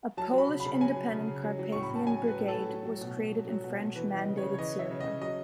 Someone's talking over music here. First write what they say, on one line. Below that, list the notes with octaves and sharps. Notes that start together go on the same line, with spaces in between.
A Polish Independent Carpathian Brigade was created in French-mandated Syria.
F#3 A5
F#3 B5
C#3
B5
C#3
F#3 G#5
F#3
C#3
C#3
F#3
F#3
A2 C#6
B5
A2
A5
F#3 G#5
F#3
B4
A2
A4
A2
F#3
F#3
B2
B2
F#3
F#3
B2
B2
E3 B4
E3
D#5
C#3
C#5
C#3
C#5
E3 D#5
E3 E5
C#3
D#5
C#3
F#3 D#5